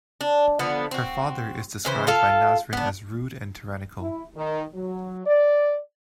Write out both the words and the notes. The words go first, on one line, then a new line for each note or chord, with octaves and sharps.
Her father is described by Nasrin as rude and tyrannical.
D4
D3 F3 B3
C4 F#4
C#3 E3 C5
F4 A4 F5
B3 D4
E4
D#3
F#3
D5